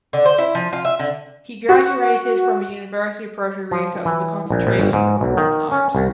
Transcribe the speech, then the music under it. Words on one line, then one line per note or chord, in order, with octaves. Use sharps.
He graduated from the University of Puerto Rico with a concentration the performing arts.
D3
C5
E4
F3
F4
E5
D3
F#4
F3
E3
A#1
A#1
G1
G#2
B1
D#3
C#4
C2